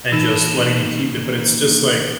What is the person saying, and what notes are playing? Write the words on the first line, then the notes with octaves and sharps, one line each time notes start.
and just letting me keep it, but it's just like,
D#2 E3 D#4 A5